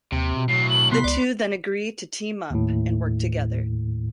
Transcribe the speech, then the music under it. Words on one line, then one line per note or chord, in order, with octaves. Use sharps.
The two then agree to team up and work together.
D#2 C3
B2
A2 F#3 C7
F#7
C3 B3 B5 C6
C#2 D5
D#2 A2